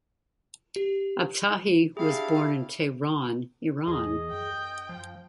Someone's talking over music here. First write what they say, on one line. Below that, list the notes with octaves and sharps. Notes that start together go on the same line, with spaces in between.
Abtahi was born in Tehran, Iran.
G4
D4 E4 G4 G#4 F5
E2 E3 G#4 D#5
F#2 G5
F3